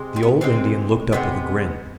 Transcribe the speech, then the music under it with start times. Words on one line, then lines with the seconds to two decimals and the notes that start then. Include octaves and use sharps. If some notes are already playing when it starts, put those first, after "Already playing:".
The old Indian looked up with a grin.
Already playing: C3 G#3
0.16 C4
0.23 B3
0.41 C3 E3 G#3 C4
1.12 C3 F3 G#3 B3